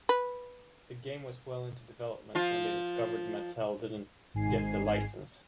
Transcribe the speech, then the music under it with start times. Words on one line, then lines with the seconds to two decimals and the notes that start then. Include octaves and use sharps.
The game was well into development when they discovered Mattel didn't get the license.
0.09 B4
2.35 F3 F4
4.34 G#1 G#2 G#5 C7